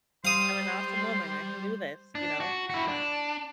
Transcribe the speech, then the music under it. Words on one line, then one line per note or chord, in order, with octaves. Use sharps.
am an awesome woman, I can do this," you know?
G3 C5 F5 C6 D#6
D4
F#4
E4 F#4
D4